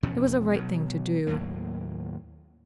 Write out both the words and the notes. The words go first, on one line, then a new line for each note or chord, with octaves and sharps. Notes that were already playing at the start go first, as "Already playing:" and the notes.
It was a right thing to do.
E2 B2 F3 C#4
B2 F#3
D#2 A2 F#3 A#3